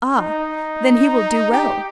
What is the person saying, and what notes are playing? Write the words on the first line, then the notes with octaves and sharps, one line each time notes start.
"Ah! then he will do well."
D#4
G4